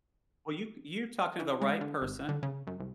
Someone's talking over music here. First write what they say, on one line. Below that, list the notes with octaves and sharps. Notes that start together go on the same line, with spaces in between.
Well you you're talking to the right person,
E3
G#3
D3
G#1
D3
C#3
F#2
C2